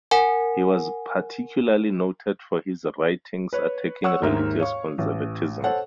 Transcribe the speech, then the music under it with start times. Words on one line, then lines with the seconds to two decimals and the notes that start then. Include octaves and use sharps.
He was particularly noted for his writings attacking religious conservatism.
0.11 A#4 F#5 G#5
3.53 B4 C#5
4.03 C#5 F#5 C#6 E6
4.22 D#2 G#2 A#4 E5 F6
4.59 C#5 F5 C#6
4.98 A1
5.64 A4 C5 C#5 F#5